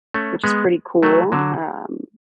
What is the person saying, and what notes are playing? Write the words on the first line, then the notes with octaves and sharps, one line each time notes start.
which is pretty cool. Um,
A3 C#4
G#3 B3
F#3 A3
D3 F#3